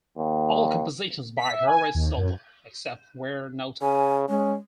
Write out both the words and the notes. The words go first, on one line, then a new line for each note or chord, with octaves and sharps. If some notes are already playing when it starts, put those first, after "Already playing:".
All compositions by Horace Silver, except where noted.
D#2
B6
E5
G#5
D#2
F#2
C#3 G#5
G#3 C#4